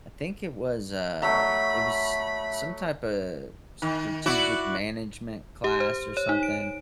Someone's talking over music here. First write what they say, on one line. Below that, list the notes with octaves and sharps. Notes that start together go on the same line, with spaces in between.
I think it was a it was some typa strategic management class or something,
F#3 A3 E5 B5
D#3
E4 F#4 D5
G4
C5
C#5
D#4
D7